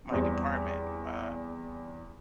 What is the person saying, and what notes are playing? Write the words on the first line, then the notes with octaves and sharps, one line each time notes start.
my department, uh
E2 G3 C4